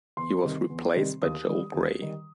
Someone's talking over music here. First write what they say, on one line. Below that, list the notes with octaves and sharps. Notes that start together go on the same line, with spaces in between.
He was replaced by Joel Grey.
E2 C6
C3 D#3 G3
E2
C3 D#3 G3
D#2 D#6
D#3 G3
D#2
D#3 G3